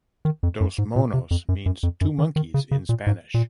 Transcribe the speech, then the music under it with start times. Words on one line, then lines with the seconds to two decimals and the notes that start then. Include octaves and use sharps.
Dos Monos means "two monkeys" in Spanish.
0.25 D#3
0.43 F2
0.61 F#2
0.78 G#2
0.96 A#2
1.14 C3
1.31 F2
1.49 F#2
1.66 F#2
1.83 F2
2.01 F#2
2.18 D#3
2.36 D#3
2.54 C#3
2.71 C#3
2.89 A#2
3.07 G#2
3.34 A#2